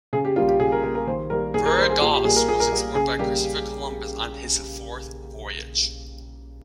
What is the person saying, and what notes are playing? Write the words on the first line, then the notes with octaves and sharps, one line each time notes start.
Veraguas was explored by Christopher Columbus on his fourth voyage.
C#3 G#4
G4
G3 A#3 F4
G4
C#3 G#4
A#4
G3 A#3 A#4
A#4
D#3 C5
G3 A#3 A#4
D#3 G#4
A#4
G3 A#3 C5
G#4
A#2 G#4
G4
G3 A#3 G#4
A#4
A#2 G#4
A#4
G3 A#3
C#3 G#4
G3 A#3 G4